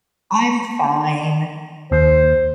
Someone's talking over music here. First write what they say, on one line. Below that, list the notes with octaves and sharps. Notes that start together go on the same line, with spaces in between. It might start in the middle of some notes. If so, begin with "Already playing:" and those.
I'm fine
D#2 C5